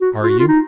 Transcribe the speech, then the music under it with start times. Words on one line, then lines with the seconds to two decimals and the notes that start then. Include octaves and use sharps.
"Are you?"
0.01 F#4
0.23 F4
0.29 F#4
0.39 F4
0.48 D#4